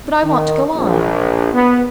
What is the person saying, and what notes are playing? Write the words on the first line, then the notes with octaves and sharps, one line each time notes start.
"But I want to go on!"
D#3
A#1
B3